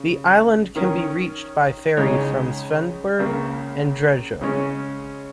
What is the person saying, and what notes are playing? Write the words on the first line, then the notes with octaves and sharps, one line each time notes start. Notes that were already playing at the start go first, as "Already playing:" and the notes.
The island can be reached by ferry from Svendborg and Drejø.
Already playing: C#3
D#3 C#4 A#4 C#5
C#2 C#3 G#3 D#4 C#5
C#2 C#3 A#3
C#3 G#3 C#4